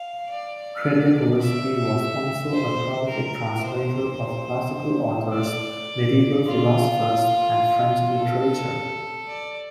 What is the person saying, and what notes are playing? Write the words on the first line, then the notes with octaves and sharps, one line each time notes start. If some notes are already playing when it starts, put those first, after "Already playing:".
Trediakovsky was also a prolific translator of classical authors, medieval philosophers, and French literature.
Already playing: F5
D5
E5
C5
A#4
C5
D5
F4
A4
D5